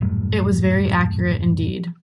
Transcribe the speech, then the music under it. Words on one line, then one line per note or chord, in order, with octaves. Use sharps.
It was very accurate indeed.
D#1 F#2 A2 G3